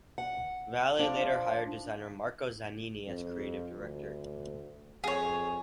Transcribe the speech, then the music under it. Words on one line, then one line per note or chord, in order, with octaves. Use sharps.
Valle later hired designer Marco Zanini as creative director.
F#5
F3 D4
F2
D2
F2 G#4 C#5